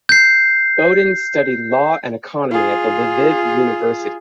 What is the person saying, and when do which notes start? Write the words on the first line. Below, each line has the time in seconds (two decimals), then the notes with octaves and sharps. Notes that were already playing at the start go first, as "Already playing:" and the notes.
Bohdan studied law and economy at the Lviv University.
0.09 G6 C7
2.51 F4 G#4